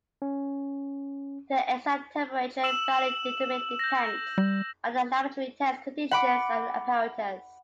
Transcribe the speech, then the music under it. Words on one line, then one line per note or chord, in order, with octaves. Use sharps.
The exact temperature value determined depends on the laboratory test conditions and apparatus.
C#4
E6 E7 F#7
G6 A#6
G3
F#5 B5 D6